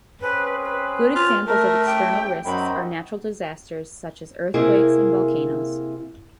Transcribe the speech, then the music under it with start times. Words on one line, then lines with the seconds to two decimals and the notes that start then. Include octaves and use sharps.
Good examples of external risks are natural disasters such as earthquakes and volcanoes.
0.21 C4 C#4 G#4 B4
0.62 B4
1.15 F4
1.47 A3 A#4
1.86 A1 G4 G5
2.45 F#2 C4 D#4 F#4 B5
4.54 C3 A#3 E4 G#4